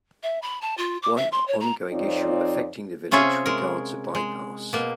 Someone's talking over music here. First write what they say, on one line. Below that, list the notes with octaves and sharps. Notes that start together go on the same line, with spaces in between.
One ongoing issue affecting the village regards a bypass.
E5
B5
A5
F4
D6
E5
C6
C#5
A#5
F2 C4 D#4 F4 C#5 D5
C3 C#4 F4 G#4 C#5 E5
G#3 A#4
G#3
B2 A#3